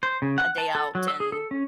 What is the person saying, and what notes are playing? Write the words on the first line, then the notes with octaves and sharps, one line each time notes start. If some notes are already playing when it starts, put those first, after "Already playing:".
a day out, and
C5
C#3
F#5
A5
A4
F#3
E6
G#4
A4
C#4